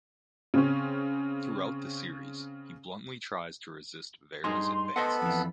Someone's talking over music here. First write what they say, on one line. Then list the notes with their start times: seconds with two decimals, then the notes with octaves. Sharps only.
Throughout the series, he bluntly tries to resist Vera's advances.
0.54 C#3 C4 C#4
4.44 G2 D#4 G#4 C6
4.96 B3 A4 C5 D#5 F#5 B5
5.22 F2 E3